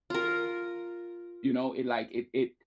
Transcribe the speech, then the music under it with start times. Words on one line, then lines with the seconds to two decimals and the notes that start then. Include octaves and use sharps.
You know, it like it it
0.10 F4 A#4